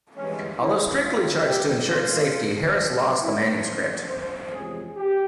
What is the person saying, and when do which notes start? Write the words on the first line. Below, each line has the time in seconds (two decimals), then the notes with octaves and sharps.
Although strictly charged to ensure its safety, Harris lost the manuscript.
0.17 G2 E3 G#3 C#4
0.61 E4
1.04 C#3 F3 C4 F4
1.48 G4
1.91 A#2 G#3 C4 F4
2.79 F2 C3 G3 C4
3.22 E4
3.66 C#3 E3 A#3 C#4 C5
4.09 C5
4.53 E2 C3 F3 G#3 C#4 G#4
4.97 G4